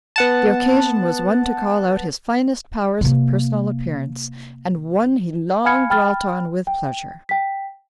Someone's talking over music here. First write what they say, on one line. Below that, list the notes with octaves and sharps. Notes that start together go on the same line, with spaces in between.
The occasion was one to call out his finest powers of personal appearance, and one he long dwelt on with pleasure.
B3 F#5 A5
C3 A#3
F5 G#5 B5 F6 G#6 C#7
G5 B5 F6 A6
G5
G5 B6